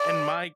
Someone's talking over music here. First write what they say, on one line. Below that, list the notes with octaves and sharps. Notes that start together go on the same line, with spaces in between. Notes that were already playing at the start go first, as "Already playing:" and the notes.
And my g
Already playing: D5